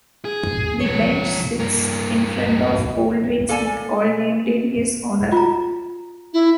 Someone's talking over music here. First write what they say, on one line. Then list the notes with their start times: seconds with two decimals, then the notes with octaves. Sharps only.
The bench sits in front of Goldwin Smith Hall, named in his honour.
0.25 G#4
0.81 F3 C#5
1.59 G2 A#3
3.49 A#3 A4 D5 G#5
5.32 F4 A#5
6.33 E4